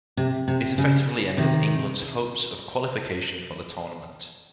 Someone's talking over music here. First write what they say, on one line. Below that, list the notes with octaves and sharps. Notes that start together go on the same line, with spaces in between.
It effectively ended England's hopes of qualification for the tournament.
C3
C3
C#3
C3 D#3